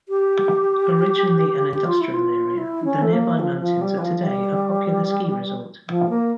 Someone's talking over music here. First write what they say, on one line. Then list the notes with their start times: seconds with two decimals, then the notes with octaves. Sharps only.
Originally an industrial area, the nearby mountains are today a popular ski resort.
0.09 G4
1.74 G4
1.87 F4
2.01 E4
2.14 F4
2.58 E4
2.85 C#4
3.02 A3
3.13 A#3
3.39 F3
3.60 F3
3.81 G3
3.98 E3
4.02 F3
4.23 G3
5.88 F3
6.09 A#3